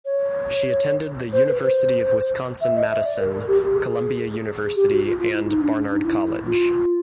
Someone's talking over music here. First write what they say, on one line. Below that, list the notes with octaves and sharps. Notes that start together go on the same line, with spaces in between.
She attended the University of Wisconsin-Madison, Columbia University and Barnard College.
C#5
C5
B4
C5
E5
D#5
E5
D5
A#4
A#4
G4
G4
G#4
G#4
G4
F#4
F4
F4
E4
D#4
D4
D4
D#4
E4
F4